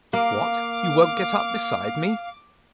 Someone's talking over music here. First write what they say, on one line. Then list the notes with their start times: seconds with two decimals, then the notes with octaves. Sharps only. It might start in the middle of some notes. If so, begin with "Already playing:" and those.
"What--you won't get up beside me?"
0.13 A#3 F5 D6